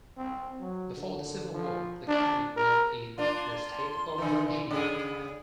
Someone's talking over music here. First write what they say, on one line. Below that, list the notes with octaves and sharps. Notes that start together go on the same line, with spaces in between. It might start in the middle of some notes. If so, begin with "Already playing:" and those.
Before the Civil War, the county was in the State of Virginia.
C4
F#3
D3
F3
D4
A#4
A#3 D4 F4 C6
D3 E3
C#3 G#4